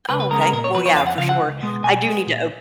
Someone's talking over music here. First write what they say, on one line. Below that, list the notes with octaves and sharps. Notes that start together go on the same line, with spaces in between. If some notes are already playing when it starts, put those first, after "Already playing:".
Oh, okay, well, yeah, for sure, I do need to o
C#2 B4
B4
C#3 G#3 B3 A#4
A#4
A#2 A#4
C#5
F3 B3 B4
C#5
F2 F5
F#5
C#3 F3 F5
F#5
C#2
B2 G#3 B3
B2 G#5
G#3 B3
A#2